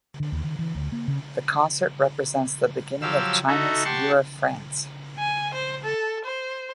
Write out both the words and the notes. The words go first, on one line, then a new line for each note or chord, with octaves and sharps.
The concert represents the beginning of China's "Year of France".
D3
D#2
D#3
E3
D2
A#3
C#3
F3 F#3 G4 F5 E6
D#4 F#4 A4 E5
G4 F#5 A5 C6 C#6
G#5
C5
A4
C5